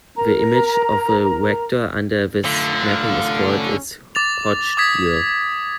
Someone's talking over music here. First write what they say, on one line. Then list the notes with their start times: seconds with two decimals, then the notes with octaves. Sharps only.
The image of a -vector under this mapping is called its "Hodge dual".
0.17 A#4 A#5
2.45 D3 A3 F4
2.85 F5
3.48 C#4
4.15 D6 A6 F7
4.77 D6 D#6 G#6 B6